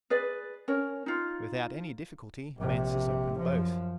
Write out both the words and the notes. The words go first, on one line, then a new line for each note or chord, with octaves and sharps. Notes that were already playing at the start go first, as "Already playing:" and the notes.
Without any difficulty Mansus opened both.
G#4 B4 D5
C#4 A#4 C#5
D#4 F4
A#1 C3
F#2 F3